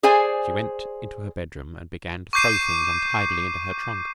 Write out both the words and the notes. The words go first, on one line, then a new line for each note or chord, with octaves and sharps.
She went into her bedroom and began to throw things untidily into her trunk.
G#4 C5 D5 G#5
C#6 D6 G6 C7 D#7